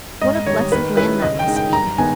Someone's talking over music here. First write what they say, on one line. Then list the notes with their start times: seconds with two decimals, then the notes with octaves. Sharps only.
What a blessed land that must be!
0.21 G#2 D#5
0.46 D#3 G3 C#5
0.72 D#3 B4
0.97 G3 C#4 E4 B4
1.22 C#3 D#5
1.39 G5
1.48 G#3 D#4
1.56 G5
1.73 G2 A#5
1.98 D#3 G#3 B3 D#4 G#5